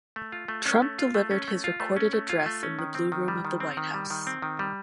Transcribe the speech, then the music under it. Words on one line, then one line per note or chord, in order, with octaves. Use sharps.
Trump delivered his recorded address in the Blue Room of the White House.
A3
F4
A3
C#4
A3
F4
A3
C#4
A3
F4
A3
C#4
A3
F4
A3
C#4
D#3
C4
D#3
G3
D#3
C4
D#3
G3
D#3
C4
D#3
G3